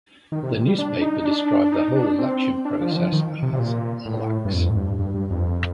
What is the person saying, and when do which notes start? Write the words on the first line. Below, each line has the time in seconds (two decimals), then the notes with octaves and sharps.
The newspaper described the whole election process as "lax".
0.32 D#3
0.43 C3
0.55 A#2
0.66 G3
0.79 D4
1.01 D#4
1.20 D#4
1.25 D4
1.64 D4
1.72 D#4
1.95 D4
2.19 C4
2.65 D4
2.81 F3
2.92 D#3
2.96 F3
3.12 D#3
3.43 C3
3.53 C3
3.59 A#2
4.05 A2
4.45 G2
4.53 F2
4.70 A2
4.76 G2
4.99 G2
5.14 G2
5.31 F2